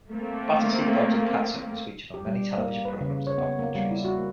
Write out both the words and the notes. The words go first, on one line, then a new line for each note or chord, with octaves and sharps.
Battersea Dogs and Cats Home has featured on many television programmes and documentaries.
A3 A#3 C4
G4
G3
A#3
B4
C#3
C#5
B3
A#3
G3
E4
F#4
A#3